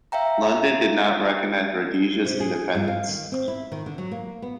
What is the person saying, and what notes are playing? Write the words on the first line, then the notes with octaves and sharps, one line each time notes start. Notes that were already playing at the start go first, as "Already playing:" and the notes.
London did not recognize Rhodesia’s independence.
E5 F5 G5 A#5
C3
G#4
G2
F5
D#3
C4
E4
D#3
D3
F#3
A#3
B3